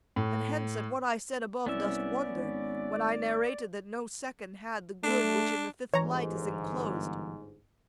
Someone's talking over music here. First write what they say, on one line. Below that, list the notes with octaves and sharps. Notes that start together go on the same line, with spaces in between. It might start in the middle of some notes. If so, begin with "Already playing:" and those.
And hence at what I said above dost wonder, When I narrated that no second had The good which in the fifth light is enclosed.
A2
C2 B3 C#4 D5 E5
G#1
A3 D4
G1 G#2 E3 C#5 A#5